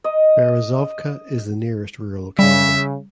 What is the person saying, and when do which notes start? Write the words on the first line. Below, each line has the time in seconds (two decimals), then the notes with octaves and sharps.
Berezovka is the nearest rural locality.
0.04 D#5
2.39 C#3 G3 E5